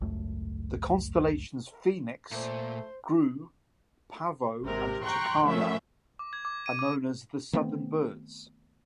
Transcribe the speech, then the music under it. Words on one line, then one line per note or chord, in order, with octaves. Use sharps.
The constellations Phoenix, Grus, Pavo and Tucana, are known as the Southern Birds.
G#1 C#2 F#2 A3
A#2 A3 C5
G#1 C3 A#4
G5 A#5 C6 C#6 F#6
F#2 F3 A3 C#4 E5
D6
G#6
D6
D#7
D6
D#3 A3 B3 C4